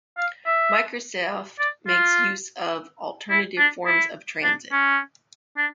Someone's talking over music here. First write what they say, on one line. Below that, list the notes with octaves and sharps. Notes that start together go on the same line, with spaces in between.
Microsoft makes use of alternative forms of transit.
F5
E5
D5
F4
E4
D4
E4
D4
C#4
D4